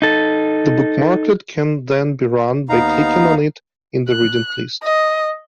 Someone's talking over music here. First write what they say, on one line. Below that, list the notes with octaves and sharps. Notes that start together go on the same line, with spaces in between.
The bookmarklet can then be run by clicking on it in the reading list.
D#4 A4
D#2 B3 D#4 F5 A#5
F#6
D#5